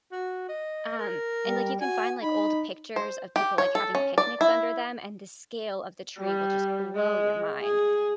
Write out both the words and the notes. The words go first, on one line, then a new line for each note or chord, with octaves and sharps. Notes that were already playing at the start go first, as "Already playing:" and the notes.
um, and, like, you can find, like, old pictures of people, like, having picnics under them, and the scale of the tree will just blow your mind.
F#4
D#5
A#4
G3
F#4 G#5
D#4 B5
C5
G4
C#5
A4
C#4
D5
E4
G3
G#3
G#4